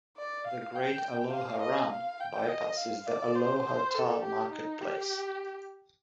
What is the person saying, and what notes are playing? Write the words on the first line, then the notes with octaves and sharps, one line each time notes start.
The Great Aloha Run bypasses the Aloha Tower Marketplace.
D5
F5
G5
F5
D#5
F5
G5
D#5
F5
D5
C5
C5
A4
G4
D#4
G4